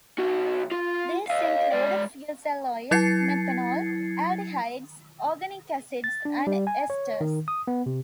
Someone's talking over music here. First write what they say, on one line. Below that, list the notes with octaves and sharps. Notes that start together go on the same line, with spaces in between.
These include fusel oil, methanol, aldehydes, organic acids and esters.
B1 F#4
F4
D#5 F5
G#3 D5
F#3 E4 G#6 A6 C7 C#7
A6
D4
G3
G#5
C#5
D#3
D#6
B3
C3